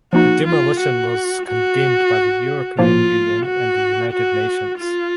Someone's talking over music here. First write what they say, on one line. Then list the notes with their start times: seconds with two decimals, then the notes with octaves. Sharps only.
The demolition was condemned by the European Union and the United Nations.
0.13 F3 A#3 D#4 F#4
0.46 F4
0.80 F#4
1.46 F#4
2.79 A2 F3 A#3 F4
3.45 F#4
4.12 F#4
4.78 F4